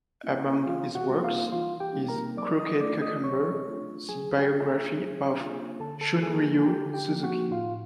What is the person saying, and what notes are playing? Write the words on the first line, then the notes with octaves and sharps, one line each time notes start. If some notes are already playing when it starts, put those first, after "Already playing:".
Among his works is "Crooked Cucumber", the biography of Shunryu Suzuki.
A#3 C#4 E4
E3 F4 F5
F#4 F#5
G3 A#3 D#4
F4 F5
E3 F4 F5
G4 G5
G3 A#3 D#4
A#4 A#5
F#3 D5 D6
D#5 D#6
A3 D4 F4 D5 D6
D#5 D#6
F#3 C#5 C#6
A3 D4 F4
F#3 G#4 G#5
G4 G5
A#3 D4 F4
G#4 G#5
F#3
A#3 D4 F4
D3 A4 A5
A4 A5
F3 A#3 D#4 G#4 G#5
G#5
D3 G4 G5
G4 G5
F3 A#3 D#4
F#4 F#5
A2 F4 F5